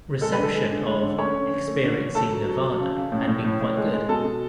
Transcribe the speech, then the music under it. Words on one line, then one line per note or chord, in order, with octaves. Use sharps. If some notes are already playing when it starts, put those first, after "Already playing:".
Reception of "Experiencing Nirvana" had been quite good.
G#3 A4
B4
D3
A4
G#3
D3
G#3
D3
A3 C#4 C#5
D3
D3
A3
D3
D3
A3 A4 A5
F#3
F#3
F#3
C#3
C#3
A2
A2
A2
A2
G#3
G#3
B2 A4 A5
B2